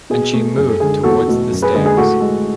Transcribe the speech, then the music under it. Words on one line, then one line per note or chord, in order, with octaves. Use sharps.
And she moved towards the stairs.
B2 G#4
A3
F#2 G#4
A4
D3 G#3 G#4
E2 F#4 A4
B2 A3
F#2
G#4 B4
D3 G#3 G#4
G#4
A2 F#4 A4
G#3